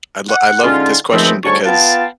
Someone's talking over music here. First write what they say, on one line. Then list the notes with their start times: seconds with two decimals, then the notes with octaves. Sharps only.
I lo I love this question because
0.30 F#5
0.63 D3 G#3 C#4 D#4 F4
1.12 C#2 D#3 F3 A3 B3 C4
1.44 D2 G#2 G3 C#5 A5 C#6
1.66 B3 F4 F5 G5 A5